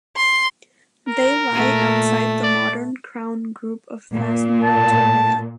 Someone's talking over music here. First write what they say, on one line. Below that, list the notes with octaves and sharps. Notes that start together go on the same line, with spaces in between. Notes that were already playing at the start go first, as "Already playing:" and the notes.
They lie outside the modern crown group of Phasmatodea.
C6
A#4
A#2 A3
D5
A#2
A5